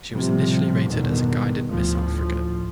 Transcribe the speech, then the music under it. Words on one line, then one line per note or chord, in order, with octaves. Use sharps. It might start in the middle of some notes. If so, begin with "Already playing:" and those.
She was initially rated as a guided missile frigate.
A2 C3 F3 G3
G1 E2 B2 D3 D#3
D2 A2 F3